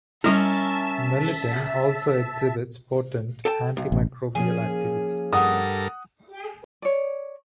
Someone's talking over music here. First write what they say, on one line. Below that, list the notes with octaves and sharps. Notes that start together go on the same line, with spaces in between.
Melittin also exhibits potent anti-microbial activity.
G3 C#4 E4 A#4 E5 A5
A4 G5 A5
B1
A1
F3 A#3 C#4 G#4
G2 A4 A#4 F#5 D#6
C#5 D5